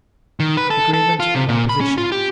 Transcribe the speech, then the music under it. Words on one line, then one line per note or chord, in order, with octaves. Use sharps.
Agreement and Opposition.
D#3
B4
A4
A4
F4
C3
A#2
B5
C#4
F4
G4